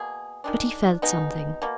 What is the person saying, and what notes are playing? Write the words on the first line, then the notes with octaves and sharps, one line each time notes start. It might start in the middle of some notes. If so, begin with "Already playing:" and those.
But he felt something.
Already playing: B2 A#3 G#4
D#3 G#3 D4
B2 G#3 B3 D#4
B2 A#3